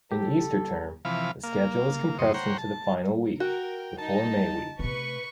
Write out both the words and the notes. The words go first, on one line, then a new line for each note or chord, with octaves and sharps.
In Easter term, the schedule is compressed into the final week, before May Week.
G4 A4
C3 E3 F3 F5 B5
A#3 F5
F#2 C5 D#5 C#6
C5 C#5 F#5 G5 A#5
A5
F#4 A#4 G5
D#4 A5
C3 A3 B4 C#6